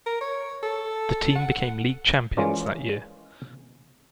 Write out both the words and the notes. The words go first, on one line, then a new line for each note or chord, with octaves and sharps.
The team became league champions that year.
A#4
C#5
A4
F#5
E3 G#3 C#4 F4 A#4 D5